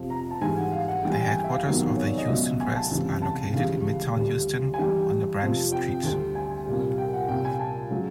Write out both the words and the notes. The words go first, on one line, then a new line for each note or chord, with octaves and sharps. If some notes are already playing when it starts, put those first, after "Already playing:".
The headquarters of the "Houston Press" are located in Midtown Houston on LaBranch Street.
Already playing: F2 C3 F3
A#5
A5
G#2 E3 G3 G#5
F#5
F5
F#5
G2 E3 G3 G5
G#5
G5
G#5
G5
E5
F5
E2 C3 D#3 F#3
C#5
D5
D#5
C#2 B2 F#3 E5
G#5
A5
C#2 C3 E3
A5
C#2 C#3 E3 G3 F5
D2 D3 G3
G#5
G2 E3 G3 G5
F2 C3 F3
G5
D2 D3 G3
G#5
C2 A#2 G3
G5
F#5
C2 A#2 G3 G5
G#5
A5
C#3 F#3